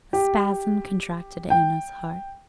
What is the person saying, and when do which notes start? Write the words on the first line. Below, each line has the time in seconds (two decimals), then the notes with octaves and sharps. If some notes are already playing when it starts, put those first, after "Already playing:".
A spasm contracted Anna's heart.
0.13 G4
1.50 G5